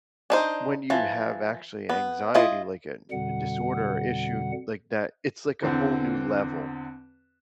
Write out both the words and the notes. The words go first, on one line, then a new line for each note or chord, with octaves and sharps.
when you have actually anxiety, like, an a disorder or issue, like, that, it's like a whole new level.
D4 D#4 C5
E3 F3
B3
E4 F4 D#5
F2 B2 D3 G3 F#5
E2 D3 C4